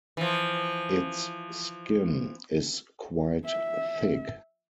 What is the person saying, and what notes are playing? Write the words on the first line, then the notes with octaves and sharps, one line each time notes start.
Its skin is quite thick.
E3 F3
E5